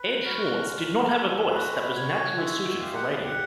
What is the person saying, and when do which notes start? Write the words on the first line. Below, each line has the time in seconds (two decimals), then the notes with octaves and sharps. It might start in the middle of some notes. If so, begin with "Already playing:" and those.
Ed Schwartz did not have a voice that was naturally suited for radio.
Already playing: B4
0.24 F#4 A#4
0.66 G#3
1.10 G#3 A4
1.52 F#4 B4
1.95 F#4 C#5
2.38 G#3 E5
2.80 G4 F5
2.94 F#5
3.07 F5
3.23 G4 F#5